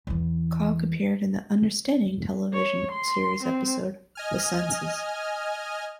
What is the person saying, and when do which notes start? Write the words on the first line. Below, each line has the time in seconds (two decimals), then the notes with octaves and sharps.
Cog appeared in the "Understanding" television series episode "The Senses".
0.07 E2 E3
2.53 C#5
2.91 C6
3.43 C4
4.15 D#5 G#5 F6